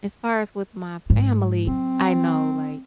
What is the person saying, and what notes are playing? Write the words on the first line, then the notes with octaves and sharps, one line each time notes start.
as far as with my family, I know, like,
G#2
F#3 C4